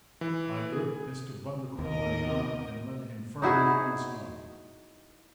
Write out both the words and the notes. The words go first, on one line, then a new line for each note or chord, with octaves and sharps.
I gripped Mr. Bundercombe by the arm and led him firmly to one side.
E3
G#4
D#2 A#4 D#5
D#4 E4 F#4 G#4